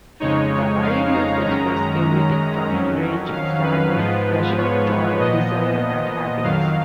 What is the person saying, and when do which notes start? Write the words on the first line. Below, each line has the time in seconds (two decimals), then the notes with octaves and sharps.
The idols express everything from rage, sadness, pleasure, joy, desire and happiness.
0.20 F2 C#3 G#3 D#4 C#5
0.83 F5
1.14 A#5
1.44 F#2 D#3 G#3 C#4 A#5
1.76 A#5
2.70 F2 D#3 F#3 C#4
3.33 F5
3.63 B4
3.95 G#2 F3 G#3 B3 F4
4.58 C#5
5.19 A#2 F3 B3 D#5
6.44 F2 D#3 F#3 F5